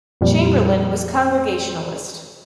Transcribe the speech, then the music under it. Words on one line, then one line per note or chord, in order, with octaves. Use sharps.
Chamberlain was Congregationalist.
F2 A#2 F3 G3